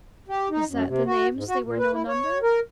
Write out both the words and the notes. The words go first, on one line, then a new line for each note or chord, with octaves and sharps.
"Is that the names they were known under?"
G4
D#4
F#2
C3
F#4
G#2
F#4
A#2
B4
E4
C#5
A#4